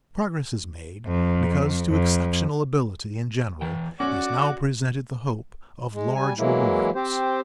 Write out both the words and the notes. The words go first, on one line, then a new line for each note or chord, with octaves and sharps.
Progress is made because to exceptional ability in general is now presented the hope of large rewards.
F2
F2
E2 E3 G5
C#4 F#4 D5 F#5 D6
G#3
G3 G#5
E3 F#3 G#3 A#3 E4
C4 G4 C5